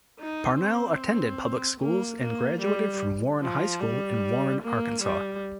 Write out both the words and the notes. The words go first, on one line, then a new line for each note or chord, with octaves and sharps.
Parnell attended public schools and graduated from Warren High School in Warren, Arkansas.
D#4
C4
A#3
A#3
G3
F3
G3
A#3
G3